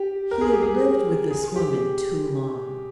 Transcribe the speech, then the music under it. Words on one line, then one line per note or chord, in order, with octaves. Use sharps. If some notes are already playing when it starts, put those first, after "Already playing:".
He had lived with this woman too long.
Already playing: G4
A#4
G#4
G4
G#4
G#4
G4